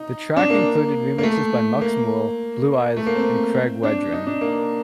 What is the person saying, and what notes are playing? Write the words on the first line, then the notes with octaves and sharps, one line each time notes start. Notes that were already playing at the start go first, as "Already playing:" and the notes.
The track included remixes by Mux Mool, Blue Eyes and Craig Wedren.
Already playing: D#4
D4
A#3
A#3
A3
A#3
A3
A#3
C4
D4
D#4
D4
A#3